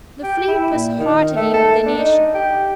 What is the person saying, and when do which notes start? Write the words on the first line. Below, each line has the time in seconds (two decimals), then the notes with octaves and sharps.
The fleet was heartily with the nation.
0.23 G4
0.48 E4
0.71 A#2
0.99 D#3
1.36 A3
1.54 A4
1.86 D4
1.99 D#4
2.34 G4